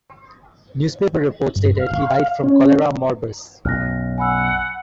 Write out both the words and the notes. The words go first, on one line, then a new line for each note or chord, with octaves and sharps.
Newspaper reports stated he died from cholera morbus.
G2
F5
C#4
B1 F#2 F6 F#6 A#6
F#5 G#5 B5 E6